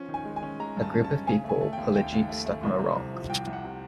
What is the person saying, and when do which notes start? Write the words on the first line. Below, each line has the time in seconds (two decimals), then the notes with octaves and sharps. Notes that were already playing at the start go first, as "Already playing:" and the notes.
A group of people pull a jeep stuck on a rock.
Already playing: F3 C#4
0.08 D#3
0.14 G#5
0.25 G#3
0.36 G#5
0.43 C#4
0.59 G#3 A#5
0.77 G2
0.82 A5
0.93 C#4
1.04 A5
1.10 C#4
1.27 C#3 G#5
1.44 A3
1.49 G#5
1.61 A3
1.73 G5
1.77 D#2
1.95 D#2 G5
2.12 D#2
2.29 A3
2.46 A3
2.63 C2
2.79 C3
2.96 C2
3.14 F3
3.30 C2 G5
3.47 C2
3.53 F#5
3.65 C3